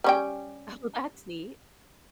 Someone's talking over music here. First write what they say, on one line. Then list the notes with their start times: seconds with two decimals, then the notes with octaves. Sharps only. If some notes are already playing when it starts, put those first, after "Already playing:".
Oh, that's neat.
0.04 G3 C#4 G5